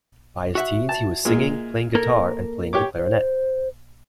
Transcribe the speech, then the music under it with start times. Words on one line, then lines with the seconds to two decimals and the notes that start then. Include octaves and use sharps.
By his teens, he was singing, playing guitar, and playing the clarinet.
0.55 F#4 E5 F#5
0.89 A5
1.25 A#2 G#3
1.95 A#3 A4 A#4
2.73 G4 C#5 D6
2.97 C5